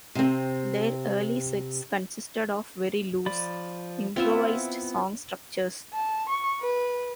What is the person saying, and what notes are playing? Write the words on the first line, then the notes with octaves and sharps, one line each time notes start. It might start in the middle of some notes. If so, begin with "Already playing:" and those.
Their early sets consisted of very loose, improvised song structures.
C3 C4
F3 D5 B5
B3 C4 E4 F4 E5
A5
C#6
B4